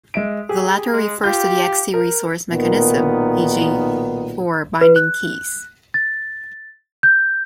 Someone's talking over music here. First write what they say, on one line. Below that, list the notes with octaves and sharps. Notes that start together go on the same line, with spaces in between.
The latter refers to the Xt resource mechanism, e.g., for binding keys.
G#3 E5 D7
G4 G#4
G#3
F4 G4 G6
A#4
B1 A#2 D#3 B3 A#4
B4
F#6
A6
G6